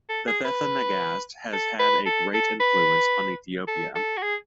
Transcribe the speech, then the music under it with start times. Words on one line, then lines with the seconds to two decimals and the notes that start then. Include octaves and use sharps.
The Fetha Nagast has had a great influence on Ethiopia.
0.09 A4
0.27 G#4
0.45 B4
1.53 A4
1.80 B4
2.06 A4
2.34 A4
2.60 B4
3.68 A4
3.96 A4
4.17 F#4
4.23 G#4